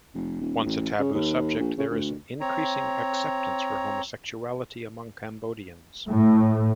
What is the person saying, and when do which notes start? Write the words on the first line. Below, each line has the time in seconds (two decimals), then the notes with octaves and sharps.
Once a taboo subject, there is an increasing acceptance for homosexuality among Cambodians.
0.14 F1
0.41 D#1
0.66 A1
0.99 C#3
1.14 D#2
1.59 A#1
1.78 C#3
1.90 D2
2.41 C4 C#5 A#5
6.09 A2